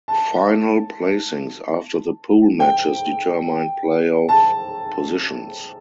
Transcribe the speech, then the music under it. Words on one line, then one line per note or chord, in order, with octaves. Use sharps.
Final placings after the pool matches determined playoff positions.
A5
G5
A5